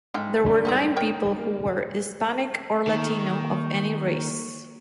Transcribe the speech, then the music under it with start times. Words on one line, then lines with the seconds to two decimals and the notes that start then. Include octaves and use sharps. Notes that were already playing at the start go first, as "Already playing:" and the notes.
There were nine people who were Hispanic or Latino of any race.
0.14 G#2 A3 F5 G5
0.45 G2 D4
0.65 C4 D#4 G4
0.96 D#4 A#4 C#5 G5
1.38 A#3
2.87 D#3 A#3 C#6